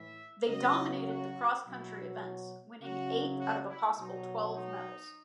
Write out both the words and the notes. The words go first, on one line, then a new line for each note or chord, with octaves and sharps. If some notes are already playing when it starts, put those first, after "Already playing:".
They dominated the cross-country events, winning eight out of a possible twelve medals.
Already playing: A2 E3 E5
C#3 F#3 D#5
F#4
B2 F#3 E4
C#3 F#3 F#4
F#4
E4
B2 F#3 D#4
D#4